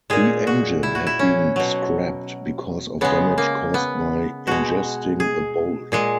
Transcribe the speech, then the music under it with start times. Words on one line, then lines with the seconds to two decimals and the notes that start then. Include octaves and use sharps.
The engine had been scrapped because of damage caused by ingesting a bolt.
0.10 A#2 G#3 G#4
0.47 F#4
0.83 E4
0.95 F#4
1.07 E4
1.19 C#4
1.56 B2 F#3
3.01 C#3 G#3 B3
3.38 A#3
3.74 B3
4.47 B2 G#3 F#4
5.20 G#4
5.92 A#2 G#3 G#4